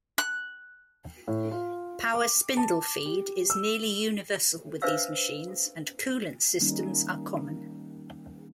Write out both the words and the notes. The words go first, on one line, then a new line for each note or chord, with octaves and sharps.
Power spindle feed is nearly universal with these machines and coolant systems are common.
F#6
A2
F4
D6
A5
G4
E6
D4 B4 C5 E5 F5 E6
D#3 G3 A#3 C#4 D#4